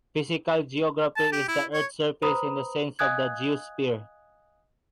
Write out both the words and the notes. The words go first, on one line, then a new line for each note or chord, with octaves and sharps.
Physical geography is the earth's surface in the sense of the geosphere.
A5
G4
E4
C#5
B4 C5 A#5 B5 D#6
D#5 F5 G#5 D#6 F#6 G#6